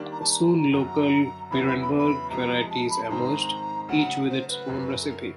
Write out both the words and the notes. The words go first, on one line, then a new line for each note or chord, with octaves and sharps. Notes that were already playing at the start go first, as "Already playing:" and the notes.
Soon local Beerenburg varieties emerged, each with its own recipe.
Already playing: D#3 G3 A#3 D4
A#5
A5
A#5
F#2 D3 F#3 A#5
E2 C#3 F#3 B3 E4 B5
B5
B5
B5
C3 F3 G#3 A#5
A5
B5
A5
G#2 D#3 G#3 C4 A#5
C#3 F#3 A3 F#5
C5
B4
F#2 C#3 F#3
A4
A#4